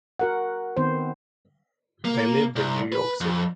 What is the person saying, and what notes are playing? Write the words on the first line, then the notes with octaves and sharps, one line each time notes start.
They lived in New York City.
F#4 A#4 F#5
D#3 B3 C4 C5
A#3
C2
B4
F2